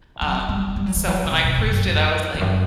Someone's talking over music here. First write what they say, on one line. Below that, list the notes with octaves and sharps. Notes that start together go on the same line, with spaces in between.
um, so when I proofed it, I was like,
F#3
G3
G3
F#3
E3
F#3
D3
C3
B2
A2
F#2
F#2
E2
F#2